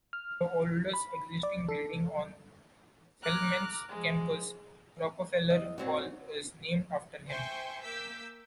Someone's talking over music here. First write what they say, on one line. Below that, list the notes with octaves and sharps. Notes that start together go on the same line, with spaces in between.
The oldest existing building on Spelman's campus, Rockefeller Hall, is named after him.
F6
B5
D5
A4
A#5 D6 F6 F#6
F3 G#3
E2 D#5
F#2 A#2 F#3 C4 F#4
C5 E5 G5 G#5 C6 C#6
A#3 D6 E6 G6 B6